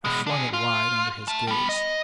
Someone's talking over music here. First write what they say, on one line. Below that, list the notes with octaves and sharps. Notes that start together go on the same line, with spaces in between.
I flung it wide under his gaze.
B2 G#3
D4 G#4
F4
E5 A5
G3 B3
D#5